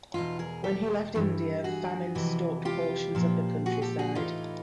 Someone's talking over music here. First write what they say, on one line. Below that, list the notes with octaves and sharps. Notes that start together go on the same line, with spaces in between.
When he left India, famine stalked portions of the countryside.
E2 B2 D#4 F4
G#4 A#4
G4 A4
G2 E3
F#4 G#4
F2 C3 E3
F4 G4
A#2 F3
F#4 G#4
G4 A4
F#4 G#4
A2 E3 D#4 F4